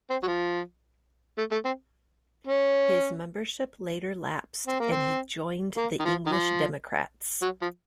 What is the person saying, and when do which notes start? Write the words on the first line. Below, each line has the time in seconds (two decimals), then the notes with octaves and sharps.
His membership later lapsed and he joined the English Democrats.
0.10 C4
0.23 F#3
0.27 F3
1.38 A3
1.52 A3
1.65 C4
2.47 C#4
4.67 C4
4.80 A#3
4.92 C4
5.77 A#3
5.99 D#3
6.05 F3
6.27 D#3
6.32 F3
7.42 F#3
7.61 F3